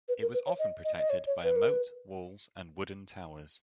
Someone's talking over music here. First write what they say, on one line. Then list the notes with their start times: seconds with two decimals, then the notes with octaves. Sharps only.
It was often protected by a moat, walls, and wooden towers.
0.08 B4
0.21 A#4
0.34 B4
0.46 C#5
0.59 D#5
0.84 D#5
0.98 D#5
1.10 C#5
1.27 C#5
1.44 B4
1.56 A#4
1.68 B4